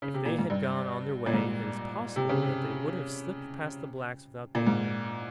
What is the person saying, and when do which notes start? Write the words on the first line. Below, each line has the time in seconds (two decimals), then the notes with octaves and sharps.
If they had gone on their way it is possible that they would have slipped past the Blacks without danger.
0.02 C#3
0.14 C3
0.25 A#2
0.39 G#2
0.50 G2
1.26 A#2
1.33 G#2
2.16 C3
2.29 C#3
2.42 C3
4.55 A#2
4.67 G#2